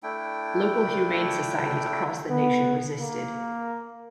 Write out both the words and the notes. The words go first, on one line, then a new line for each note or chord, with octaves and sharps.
Local humane societies across the nation resisted.
A3 D4 E4 G5
B3
A#3